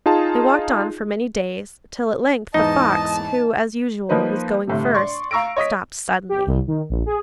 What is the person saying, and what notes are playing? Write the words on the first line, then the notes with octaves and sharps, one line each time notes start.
They walked on for many days, till at length the fox, who, as usual, was going first, stopped suddenly.
D#4 F4 G#4 A5
E2 G#2 E3 D#4 D#5 A5
F3 A#3 D#4 B4 C5
G1 A2 C3
D5 C6 C#6
F5 A#5 C#6 E6 A#6 D7
C#5 D#5 D#6 B6
G4
C2
D#3
A#1
G#4